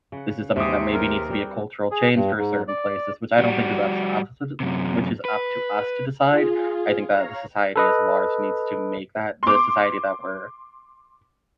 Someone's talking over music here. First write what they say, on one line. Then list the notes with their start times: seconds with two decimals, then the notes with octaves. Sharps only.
this is something that maybe needs to be a cultural change for certain places, which I don't think is up to up to de which is up to us to decide. I think that the society as a large needs to make that the society that we're
0.12 C#3 F#5
0.56 D#2 C3 E3 F#3 G3 D6 D#6
0.92 A#4
1.30 G3 C4 F#4
1.91 G#4
2.16 G2
2.38 G#2
2.68 D5
3.39 G3 F#4
4.60 F#2 C3
5.25 B4
6.25 F4 G#4
7.09 C#5 F5 A#5
7.76 A4 B4 D#5
9.43 C6 D6